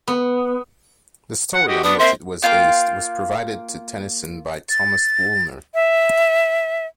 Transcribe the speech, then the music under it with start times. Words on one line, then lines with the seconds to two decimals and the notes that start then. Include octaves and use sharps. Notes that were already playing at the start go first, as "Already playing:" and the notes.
The story on which it was based was provided to Tennyson by Thomas Woolner.
0.08 B3
1.54 F#5
1.68 F#4 G4 D#5
1.84 B3 D4 D#6
1.99 A#3 C4 C5 E5
2.42 A#3 C4 F4 G5
4.70 A6
5.74 E5